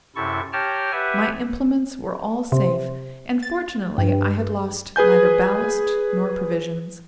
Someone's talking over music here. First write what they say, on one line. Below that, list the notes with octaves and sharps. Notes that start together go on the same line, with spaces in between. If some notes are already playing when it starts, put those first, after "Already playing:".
My implements were all safe, and, fortunately, I had lost neither ballast nor provisions.
F#2 C3 E4 A4 C#6
G4 C#5 G5 A5 A#5 F6
G4 B4 E5 F#5 G#5
C3
A6
G2
G#4 B4 G#5 G6